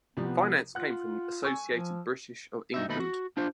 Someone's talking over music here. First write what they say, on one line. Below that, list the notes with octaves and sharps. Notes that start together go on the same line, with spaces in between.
Finance came from Associated British of England.
C2 F3 B3 G4
F4 F#5 F#6
G#5 C#6 E6
F3
G2 D#4 E5
D#2 B2 A3 D#4 B5
F#4
D4 F4 C5